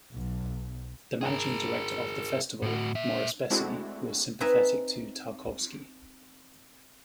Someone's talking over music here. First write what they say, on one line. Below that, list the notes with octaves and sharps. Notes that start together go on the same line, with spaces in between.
The managing director of the festival, Maurice Bessy, was sympathetic to Tarkovsky.
B1
G#4 A#4
A2 F#4
A#2 E5
G#3 A3 C4 D4 E4 F#4
C4 D#4 B4 D#5 E5 G#5